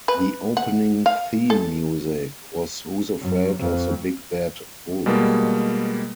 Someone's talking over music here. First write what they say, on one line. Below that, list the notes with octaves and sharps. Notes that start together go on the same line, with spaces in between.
The opening theme music was Who's Afraid of the Big Bad Wolf?
B4
F#5
F5
A4
F#2
F2
B2 G3 G#3 A#3